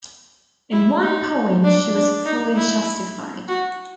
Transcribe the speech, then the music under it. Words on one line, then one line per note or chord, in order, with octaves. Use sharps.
In one point she was fully justified.
E4
D#4
D4
D4
D#4
E4
F#4